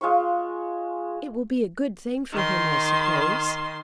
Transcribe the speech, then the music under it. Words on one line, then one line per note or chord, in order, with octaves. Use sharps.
"It will be a good thing for him, I suppose."
G#3 F4 C6 C#6
D#3 C6